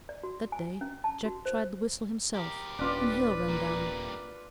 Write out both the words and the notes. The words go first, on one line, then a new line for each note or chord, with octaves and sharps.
That day Jack tried the whistle himself and Hale ran down.
D5
F#4
G#5
C#4
A5
F#4
C5
G4 A#4
D#1 C#4 D4 F4 B4 D5
G3 A#3